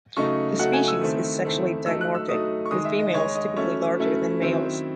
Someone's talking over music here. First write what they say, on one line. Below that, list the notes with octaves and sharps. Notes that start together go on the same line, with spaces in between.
The species is sexually dimorphic, with females typically larger than males.
C#3 F#3 A3 D#4 C#6
C#3 F#3 A3 D#4 F#5
G#5
E6
D#3 A3 C4 E4
D#3 A3 C4 E4
F#3 A3 D#4 E6
F#6
E6
F#3 A3 D#4 D#6
C#6
D#3 G#3 D#4 D#6
E5
D#5
D#3 G#3 D#4 C#5
D#5
F#3 A3 C#4 E4 C#5
F#3 A3 C#4 E4
D#3 F#3 C4 E4